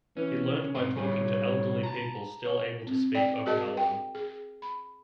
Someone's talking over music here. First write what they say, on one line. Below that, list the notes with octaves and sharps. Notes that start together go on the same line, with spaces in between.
He learned by talking to elderly people still able to speak Okinawan.
E3 C#4
G#2 C4 G5
A2 G3 A3 C#5
A5 A#5
C#5
C4
D5 G5
F#4 G#4 A#4 D#5 A5
G5
G#4
B5